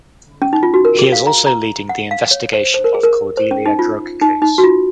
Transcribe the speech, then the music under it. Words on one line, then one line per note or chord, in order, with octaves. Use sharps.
He is also leading the investigation of Cordelia drug case.
C#4
D#4
F4
F#4
A#4
G#4
F5
A#5
A#5
F#5
F5
C#5
C5
C5
A#4
G#4
A#4
C5
C#4
D#4
F4
D#4
D#4
F#4
F4